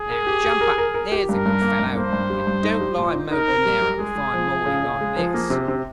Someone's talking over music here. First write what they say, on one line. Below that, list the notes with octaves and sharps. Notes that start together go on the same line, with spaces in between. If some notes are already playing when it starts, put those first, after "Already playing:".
Now jump up, there's a good fellow, and don't lie moping there on a fine morning like this!'
Already playing: G#4
A#4
G4
G4
A#4
A#4
A#4
G4
G2 A#4
G2
A#3
G2
A#3 C5
G2
G3
G2
D#4
G3
A#2
D#4
D#4 A#4
C4
G3
G3
G#3 G#4
G#3
F3
F3
C#3
C#3
G#3
F3
A#3
C3
C3